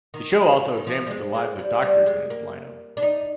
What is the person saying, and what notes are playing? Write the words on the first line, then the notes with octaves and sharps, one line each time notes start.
The show also examines the lives of the doctors in its lineup.
D#3
D#3
F3
G3
G#3
G#3
G3
G3
G#3
A#3
D4
D#4